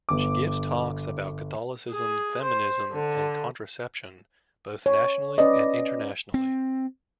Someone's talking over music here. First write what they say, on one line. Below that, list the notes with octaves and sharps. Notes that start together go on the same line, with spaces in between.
She gives talks about Catholicism, feminism, and contraception, both nationally and internationally.
G1 D6
G#4
C5
D3
C#5
C#4 B4 D5 D#5
C4